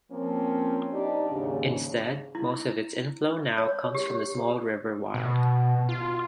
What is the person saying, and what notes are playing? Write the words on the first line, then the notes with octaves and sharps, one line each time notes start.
Instead, most of its inflow now comes from the small river Wild.
F3 A#3 C4 C#4
D4 D#4 G4 D5
D#2 G#2 C#3
E4
C#5
G4
B2
F4